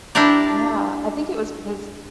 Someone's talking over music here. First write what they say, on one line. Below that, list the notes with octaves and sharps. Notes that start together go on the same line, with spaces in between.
Yeah, I think it was because, eh
D4 E4 G4 A#4 D5